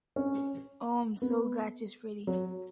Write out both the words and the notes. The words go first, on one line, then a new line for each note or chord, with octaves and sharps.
Oh, I’m so glad she’s pretty.
C#4
B3
F#3